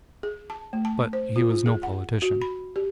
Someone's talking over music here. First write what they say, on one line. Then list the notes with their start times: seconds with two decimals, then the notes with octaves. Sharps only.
But he was no politician.
0.23 G#4
0.50 A5
0.73 A3
0.85 A5
1.13 C5
1.36 F4
1.50 F4
1.66 G#4
1.83 F#5
2.22 F#4
2.42 B5
2.76 G4